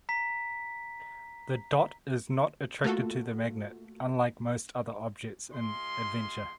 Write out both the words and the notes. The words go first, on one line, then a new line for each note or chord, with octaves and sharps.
The dot is not attracted to the magnet, unlike most other objects in "Adventure".
A#5 B6
A3 A#3 F4 F#4 A4
G#3 F4 C6